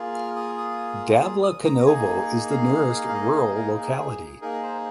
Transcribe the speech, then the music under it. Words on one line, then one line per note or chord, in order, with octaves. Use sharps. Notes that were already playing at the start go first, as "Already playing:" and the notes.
Davlekanovo is the nearest rural locality.
Already playing: A#3 F4 G#4
F6
D#6
D#6
D#6
D#6
A#5
A#3 D#4 G#4 G#5
F5
F5
D#5
D#5
A#4
G#4
A#3 D#4 G#4 A#4
C5